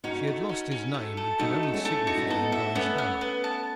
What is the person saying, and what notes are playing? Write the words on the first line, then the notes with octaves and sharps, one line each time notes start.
She had lost his name, and could only signify him by his hammer.
C#4 D#4 F#4
A3
C#4
C#4
A3
A4
A3 D#4 F#4
A3
C#4 E4
A3
D#4 F#4
E4
B3 D#4 A4
E5
A3 B3 C#4
B3
B3
A5